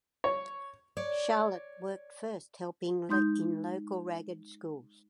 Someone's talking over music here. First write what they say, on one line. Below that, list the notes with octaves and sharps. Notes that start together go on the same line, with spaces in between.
Charlotte worked first helping in local ragged schools.
C#5
C#5 D5
G#3 D#4 C6 D#6 G6